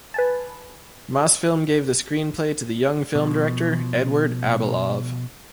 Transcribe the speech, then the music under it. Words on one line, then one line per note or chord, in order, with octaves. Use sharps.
Mosfilm gave the screenplay to the young film director Eduard Abalov.
B4 G#5 A5
B2 F3